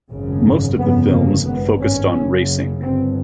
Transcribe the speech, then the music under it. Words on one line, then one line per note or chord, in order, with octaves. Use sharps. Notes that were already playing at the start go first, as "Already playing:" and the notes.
Most of the films focussed on racing.
G#1 F#2 C#3
G1 F2 C#3 B3
A#3
G#1 G2 B3
C#4
F#1 F#2 C#3
G1 G2 C4